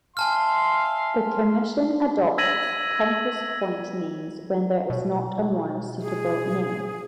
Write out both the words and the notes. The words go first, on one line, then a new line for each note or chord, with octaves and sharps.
The Commission adopts compass point names when there is not a more suitable name.
E5 F5 G#5 A5 C6 F6
E6 G#6 A#6 B6 D#7 F#7
B2
G#4